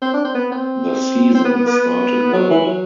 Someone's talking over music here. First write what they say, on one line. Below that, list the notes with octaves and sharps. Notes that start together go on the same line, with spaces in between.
The Season started well.
C4
D4
C4
B3
C4
C4
B3
B3
B3
F#3
E3
F#3